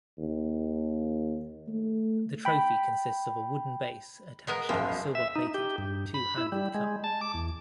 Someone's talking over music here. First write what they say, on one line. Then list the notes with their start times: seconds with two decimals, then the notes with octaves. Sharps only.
The trophy consists of a wooden base attached to a silver-plated, two-handled cup.
0.18 D#2
1.68 A3
2.45 G5 B5
4.47 G#3 B3 A#4
4.69 F#1 B1 F#2 F3
5.15 E5
5.36 D#4
5.54 G4
5.78 G2
6.14 B5
6.38 E4
6.52 G3
6.74 G#3
7.04 A5
7.21 D6
7.34 E2